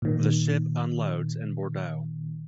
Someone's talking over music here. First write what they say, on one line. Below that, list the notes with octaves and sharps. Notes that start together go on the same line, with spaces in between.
The ship unloads in Bordeaux.
A#2 D#3